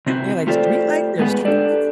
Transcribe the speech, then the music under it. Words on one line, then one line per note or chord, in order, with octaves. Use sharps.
They're like "Street lights? There's street lights?"
C3 C4 E4 F#4
A3 F4 G4 A4 C5 D5
A2 G#3 B3 G#4 B4 F#5
D4 G4 A4 D5